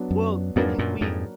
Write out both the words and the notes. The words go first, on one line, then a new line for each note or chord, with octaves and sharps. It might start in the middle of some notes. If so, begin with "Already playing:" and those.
Well, d d we
Already playing: F#3 B3 D4
F#2
F2 G#2 F#3 A#3 D4 F#4 B4
F#2 A#2
F2 G#2